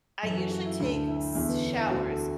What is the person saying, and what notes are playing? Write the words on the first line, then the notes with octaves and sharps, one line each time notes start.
I usually take s showers
F#2 E3 A4
F#4
F#4
E4
D2 D3 D4
E4
E2 D3 E4
B3
D4
E4
D2 D3 F#4
A4